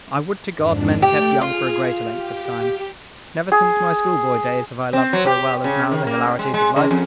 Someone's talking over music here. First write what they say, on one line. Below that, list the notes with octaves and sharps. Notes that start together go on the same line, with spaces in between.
I would to God men kept young for a greater length of time. Never since my school-boy days have I loved so well as now the hilarities of life.
F2 G#2 D4
A3 G4 D5 G5
F4 G#4
G4
G#4
C4
F#3
G4
C#3
D#3
A#3
G#3
G#3
C#3
F2